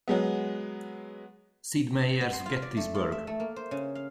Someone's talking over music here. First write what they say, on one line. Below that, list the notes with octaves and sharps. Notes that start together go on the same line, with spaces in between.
Sid Meier's Gettysburg!
F#3 G#3 B3
B3
C6
F4
D5
A3
F4
E5
A3
A#3
C5
C#3
F5